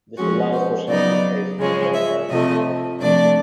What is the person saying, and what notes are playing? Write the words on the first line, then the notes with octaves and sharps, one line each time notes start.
This allowed for some new faces, and the return of former members.
F3 G#3 C#4 F#4
C5
C#3 F#3 B3 D#4 D5
C#3 F3 G#3 C#4
E5
C3 F3 A3 D#5
C3 F3 A3 D4 D5